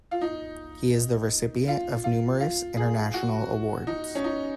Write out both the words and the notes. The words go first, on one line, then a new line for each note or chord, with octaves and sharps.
He is the recipient of numerous international awards.
F4
D#4
F4
F4
F4
G#4
F#4
D#4
C#4
D#4